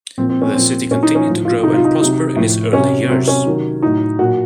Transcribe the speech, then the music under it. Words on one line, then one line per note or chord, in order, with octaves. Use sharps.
The city continued to grow and prosper in its early years.
A#2 F3 C4
C4
C#4
A#2 F3 C4
A#2 F#3 C#4
D#4
C#4
A2 F3
F4
C3 F#3 D#4
F4
D#4
C3 F#3 D#4
A2 F3
C3 F#3 C#4
C3 F#3 C4
C#4
C3 D#3 F#3
A2 F#3 D#4
A#2 F#3 F#4